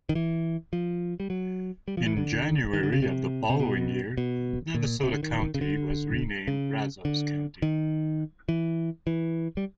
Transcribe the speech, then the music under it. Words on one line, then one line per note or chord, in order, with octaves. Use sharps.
In January of the following year Navasota County was renamed Brazos County.
D#3
E3
F3
G3
F#3
G3
F3
E3
D3
D#3
D3
C#3
C3
C3
B2
B2
A#2
C3
D3
D#3
C#3
D3
C#3
D3
D#3
E3
E3
G3